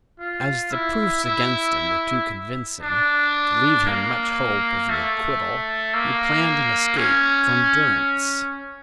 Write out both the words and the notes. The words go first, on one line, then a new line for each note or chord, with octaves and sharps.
As the proofs against him were too convincing to leave him much hope of an acquittal, he planned an escape from durance.
F4
E4
E4
D4
A#3
A3
A#3
C#4